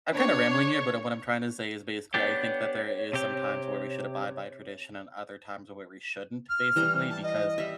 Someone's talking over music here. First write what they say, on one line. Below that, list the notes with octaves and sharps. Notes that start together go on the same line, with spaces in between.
I'm, kind of, rambling here, but what I'm trying to say is basically I think that there is some times where we should abide by tradition and other times where we shouldn't basically because
D4 C#5
B3 D4 G4 C#5
C3 G4
F6
E3 G3 A#5
A5
D#5
G3 E5